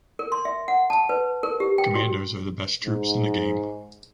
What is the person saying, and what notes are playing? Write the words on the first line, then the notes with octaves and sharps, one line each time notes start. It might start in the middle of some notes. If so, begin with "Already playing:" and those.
Commandos are the best troops in the game.
A#4
C6
E5
F#5
A5
B4
A#4
G4
G5
F#4
G#2